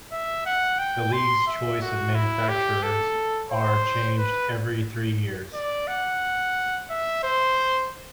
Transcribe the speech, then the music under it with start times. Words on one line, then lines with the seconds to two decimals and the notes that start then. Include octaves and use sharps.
The league's choice of manufacturers are changed every three years.
0.11 E5
0.46 F#5
0.79 G5
1.13 C6
1.47 E5
1.81 F#4
2.15 E4
2.49 G4
2.83 A4
3.51 C5
4.18 B4
5.54 D5
5.87 F#5
6.90 E5
7.23 C5